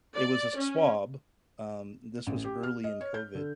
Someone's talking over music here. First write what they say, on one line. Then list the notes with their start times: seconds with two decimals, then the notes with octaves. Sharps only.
it was a swab, um, this was early in COVID,
0.16 D5
0.57 C#4
2.27 A1
2.44 G4
2.63 F6
2.84 D#5
3.01 C#5
3.14 G6
3.35 D3